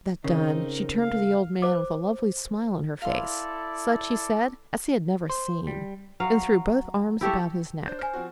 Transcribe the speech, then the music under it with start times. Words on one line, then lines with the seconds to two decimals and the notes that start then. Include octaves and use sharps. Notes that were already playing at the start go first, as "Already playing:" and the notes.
That done, she turned to the old man with a lovely smile on her face--such, he said, as he had never seen--and threw both arms about his neck.
0.24 C#3 C4 D#4 A#4
1.01 F5
1.62 C5 D6
3.02 E4 A4 D5 F5 C6
5.30 C5
5.67 G3
6.20 F#3 F5
7.21 E4 G4 A4 C#5
7.86 D4 C5 G6
7.99 C5 G#5 F6
8.13 F3 C4 F#4